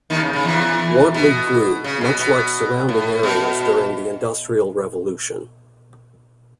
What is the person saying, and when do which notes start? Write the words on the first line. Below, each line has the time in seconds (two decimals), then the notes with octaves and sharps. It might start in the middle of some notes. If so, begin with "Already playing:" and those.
Wortley grew, much like surrounding areas during the industrial revolution.
0.10 D#2 D#3
0.22 C#3
0.33 C#3
0.45 E2 E3
1.14 B2
1.84 C#3
2.01 B2
2.19 B2
2.89 A2
3.23 B2